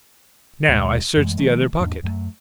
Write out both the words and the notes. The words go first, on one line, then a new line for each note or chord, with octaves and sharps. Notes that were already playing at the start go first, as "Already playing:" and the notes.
Now I search the other pocket....
D#2 B2 G#3
F#2 E3 G#3 A3
D#3 F3 G3 A3
E2 G#2 A#3 D4
F#2 F#3 A3